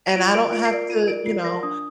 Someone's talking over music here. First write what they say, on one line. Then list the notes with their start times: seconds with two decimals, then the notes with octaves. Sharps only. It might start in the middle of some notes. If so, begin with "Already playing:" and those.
and I don't have to, you know,
0.11 D#7
0.16 F4 D7
0.34 A#4 D5 D7
0.52 F4 D7
0.65 C7
0.71 A#4 D5 D7
0.89 F4 D#7
1.07 A#4 D5 D7
1.26 F4 C7
1.44 A#4 D5 A#6
1.63 D4 D#6